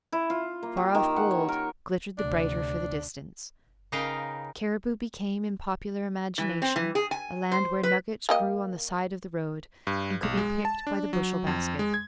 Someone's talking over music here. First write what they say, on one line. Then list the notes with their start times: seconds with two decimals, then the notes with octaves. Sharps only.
Far-off gold glittered the brighter for the distance. Cariboo became in popular imagination a land where nuggets grew on the side of the road and could be picked by the bushel-basket.
0.12 E4
0.30 F4
0.63 A#3
0.77 G4
0.95 D#3
1.16 F#5
1.31 C#5
1.49 A#4
2.18 D2 C3 D4
3.92 C#3 D#4 A#4 B4 F5 G5
6.38 E3
6.62 C4
6.76 E3
6.95 G#4
7.11 G#5
7.52 C5
7.83 B4
8.29 A#3 G4 D#5
9.87 G2
10.23 B1
10.37 G#3
10.65 A5
10.87 D4
11.13 F#3
11.47 F2
11.79 G#3
11.94 G#6